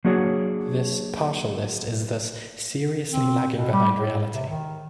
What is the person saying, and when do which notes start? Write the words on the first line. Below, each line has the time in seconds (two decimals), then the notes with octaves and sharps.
This partial list is thus seriously lagging behind reality.
0.05 F#3 A#3 D4 F#4 G#4 C#5
3.11 C4
3.53 B2
3.72 G3
3.94 A2
4.33 C3
4.48 D#3